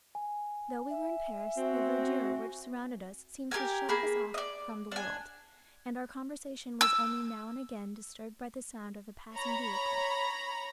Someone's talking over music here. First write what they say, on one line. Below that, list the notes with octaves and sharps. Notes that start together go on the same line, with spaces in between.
Though we were in Paris, the verdure which surrounded us seemed to shut us off from the world, and our conversation was only now and again disturbed by the sound of a passing vehicle.
G#5
E5
C4 F#4
G4 G#4 A#4 G#5
A#3 G#4 B5
D5 D#5
D4 G#5
E6
C#5 A#5 B5